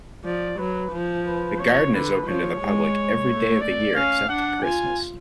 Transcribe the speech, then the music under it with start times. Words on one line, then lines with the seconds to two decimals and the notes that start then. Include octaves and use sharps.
The garden is open to the public every day of the year except Christmas.
0.24 F3 D5
0.58 F#3 B4
0.92 F3
1.26 B4
1.59 C#5
1.93 D3 B4
2.27 F3 C#5
2.61 G#3
3.28 A3
3.61 D5
3.95 C#4 F5
4.29 D4 F#5
4.63 F4 G#5